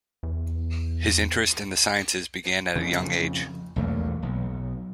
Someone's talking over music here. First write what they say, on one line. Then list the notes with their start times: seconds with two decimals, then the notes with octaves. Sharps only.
His interest in the sciences began at a young age.
0.23 E2
2.76 F2 C#3
3.76 B1 E2 A3 A#3
4.22 B1